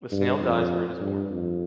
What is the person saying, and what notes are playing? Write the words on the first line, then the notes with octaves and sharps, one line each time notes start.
The snail dies where it is born.
G2
F2
G2
F2